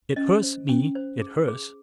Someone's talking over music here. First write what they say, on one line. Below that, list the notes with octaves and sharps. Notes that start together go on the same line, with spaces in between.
It hurts me, it hurts.
C#4 D#5
C5
C#4
C5
G#4
G#4